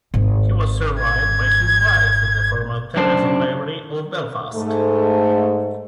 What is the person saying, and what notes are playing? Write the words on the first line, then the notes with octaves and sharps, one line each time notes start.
He was survived by his wife, the former Teresa Lavery of Belfast.
G#1 G#2
G#6
F#2 D4 C5
G#2 A3